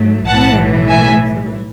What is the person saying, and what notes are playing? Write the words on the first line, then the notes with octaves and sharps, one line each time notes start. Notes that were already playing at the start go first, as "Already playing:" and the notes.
Yeah, yeah, absolutely.
Already playing: G#2 F#3 A3
B1 A2 E3 F#5 A5
E5 G#5